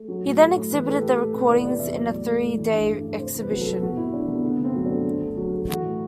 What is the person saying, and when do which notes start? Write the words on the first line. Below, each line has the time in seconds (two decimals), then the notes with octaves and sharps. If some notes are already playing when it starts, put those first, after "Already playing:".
He then exhibited the recordings in a three day exhibition.
Already playing: A3
0.08 F#3
0.24 A2
0.39 A3
0.55 A2
0.71 E3 B4
0.87 A2 A4
1.02 A3 G4
1.17 A2 A4
1.33 C3 B4
1.49 E2 D5
1.63 G3 D5
1.79 E2 E5
1.95 F#3 D5
2.10 A2
2.26 A3
2.41 A2
2.57 E3
2.73 G2
2.88 A3
3.04 G2
3.19 C3 C5
3.35 E2
3.41 B4
3.51 F#3
3.61 A4
3.67 E2
3.82 B2 F#4
3.97 C2 E4
4.12 A3 D4
4.28 C2 B3
4.43 D3 B3
4.60 G2 C4
4.75 F#3
4.85 A3 D4
5.05 D3
5.21 D2
5.37 F#3
5.52 A3
5.67 E3 F#4
5.83 A2